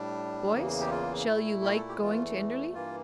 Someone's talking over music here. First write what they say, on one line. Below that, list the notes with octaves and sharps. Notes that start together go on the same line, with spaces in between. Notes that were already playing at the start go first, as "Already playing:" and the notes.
Boys, shall you like going to Enderley?
Already playing: A2 G3 D4
E2 C#3 E3 A#3
G4
F4
A#2 A3 E4
G4
A4
G4
E2 E3 A3 F4
G2 E3 A#3 F4